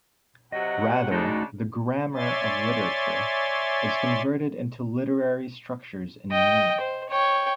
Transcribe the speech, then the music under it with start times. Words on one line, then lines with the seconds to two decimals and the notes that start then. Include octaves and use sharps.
Rather, the "'grammar' of literature" is converted into literary structures and meaning.
0.52 C3 F#3 D#5 F#5
1.11 C#3 G#3 A3 D4 D#4 F#4
2.15 C#5 D5 E5 G#5 C6 A6
6.31 D#5 G5
6.80 C5
7.09 C#5 G5